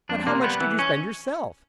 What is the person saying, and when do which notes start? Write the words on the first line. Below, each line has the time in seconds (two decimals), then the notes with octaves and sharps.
"But how much did you spend yourself?"
0.09 F2 D4
0.26 C3 A#3
0.43 G3 B3
0.60 E3
0.79 C#4